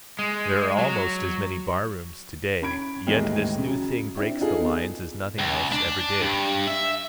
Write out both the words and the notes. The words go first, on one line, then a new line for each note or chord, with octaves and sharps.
There are almost as many bar rooms to-day, yet this new thing breaks the lines as nothing else ever did.
G#3
F#3
C#4 B5 G#6 D7
D#2 A2 E3 G#3
C#3 F#3
C4 D4 E4
D#4 F4 G#4 A4
B3
C#2
D4
G2
E5